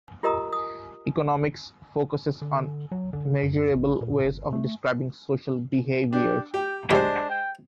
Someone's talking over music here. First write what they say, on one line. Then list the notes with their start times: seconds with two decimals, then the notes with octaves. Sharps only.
Economics focuses on measurable ways of describing social behavior.
0.23 F4 G4 A#4 D#5 A#5 D#6
0.53 D#6
2.42 D3
2.92 F#3
3.13 D3
3.43 F#2
3.75 A1
4.01 A#2
4.24 G1
4.53 A3
6.13 D4 G4
6.54 G4 G5
6.91 G#3 D4 G4 C5
7.30 G5